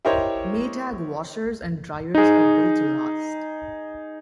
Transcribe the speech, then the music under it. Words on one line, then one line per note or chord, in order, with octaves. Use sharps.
Maytag washers and dryers are built to last.
E4 G4 A#4 C5 C#5 D#5
D#4 G#4